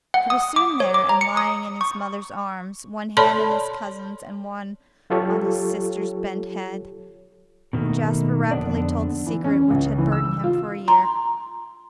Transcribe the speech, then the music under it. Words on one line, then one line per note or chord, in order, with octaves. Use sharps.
She was soon there, and, lying in his mother's arms, one hand in his cousin's, and one on his sister's bent head, Jasper rapidly told the secret which had burdened him for a year.
F#5
D#6
D6
C#5
D6
A#5
C#7
D#6
C#6
A4 C#5 D5 A5 B5 C6
F#3 F4 G4 A4 C#5
B2 D#3 A3 A#3
F2 D3 B3 D4 D5
E3
C#4
C#2
E3
E6
F4
A#5 C6